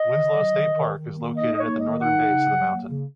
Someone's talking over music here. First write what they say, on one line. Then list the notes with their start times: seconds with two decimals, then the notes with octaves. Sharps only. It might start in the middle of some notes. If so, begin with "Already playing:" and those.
Winslow State Park is located at the northern base of the mountain.
Already playing: D#5
0.08 D#3
0.29 F#3
0.51 D#3
0.72 D#3
0.95 D#3
1.16 A#3
1.36 D#4 D#5
1.53 D#5
1.58 A#3 C#5
1.80 D#3 D#5
2.01 D#4 F#5
2.23 C#3
2.44 F#3
2.66 A#3
2.88 C#3